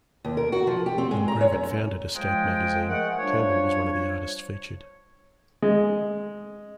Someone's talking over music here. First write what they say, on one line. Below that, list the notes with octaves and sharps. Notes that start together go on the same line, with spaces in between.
When Gravett founded "Escape Magazine", Campbell was one of the artists featured.
D#2
A#4
F#4
F3
G4
C4
G#3
A#5
C#5
F#2
F3 G#3 G5
G#3 A3 A#4 F#5
F3 G3 D4 C#5
G#3